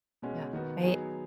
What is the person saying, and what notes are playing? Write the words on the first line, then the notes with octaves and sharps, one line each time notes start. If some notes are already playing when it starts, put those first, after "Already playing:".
Yeah, I
B2 G#3 C#4 F#4
D#3 B3 F#4
F#3 B3 D#4 G#4